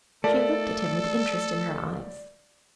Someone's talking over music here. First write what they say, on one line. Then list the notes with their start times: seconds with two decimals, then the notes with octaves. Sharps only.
She looked at him with interest in her eyes.
0.24 A3 F4 A4 A#4 D5 A5